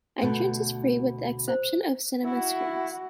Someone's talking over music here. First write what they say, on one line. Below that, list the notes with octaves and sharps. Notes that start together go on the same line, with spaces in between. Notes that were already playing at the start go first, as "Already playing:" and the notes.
Entrance is free with the exception of cinema screens.
D2 B2 A3
C5
E4 F#4